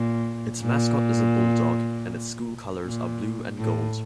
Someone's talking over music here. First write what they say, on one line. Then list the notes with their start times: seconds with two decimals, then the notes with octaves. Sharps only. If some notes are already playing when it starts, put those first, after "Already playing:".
Its mascot is a Bulldog and its school colors are Blue and Gold.
Already playing: A#2
0.61 A#2
2.83 A#2
3.58 A2